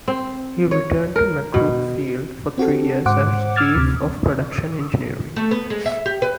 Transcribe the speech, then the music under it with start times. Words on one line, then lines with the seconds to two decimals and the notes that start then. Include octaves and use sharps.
He returned to McCook Field for three years as chief of Production Engineering.
0.08 C4
0.71 C#5
1.16 A#4
1.54 B2
2.58 C4 F#4 G4 A4
3.06 G#2 C5 F#5 D6
3.56 D6 E6 F6 G#6 A6
3.75 D2 C3
5.36 A3
5.51 B3
5.70 G#3
5.86 E5
6.06 G4
6.22 B4